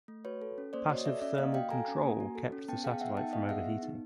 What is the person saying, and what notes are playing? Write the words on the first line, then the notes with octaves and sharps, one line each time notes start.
Passive thermal control kept the satellite from overheating.
A3
F#4 B4 C#5
A4
C#4
A#3 C5 D5
F#4 C#5 D#5
A4 D5 E5
C#4 D5 E5
A#3 D#5 F5
F#4 F5 G5
A4 G#5 A#5
C#4
A#3
F#4
A4
C#4
B3 G5 A5
G#4 F5 G5
B3 E5 F#5
D#4 G5 A5
B3 D#5 F5
G#4 E5 F#5
B3
D#4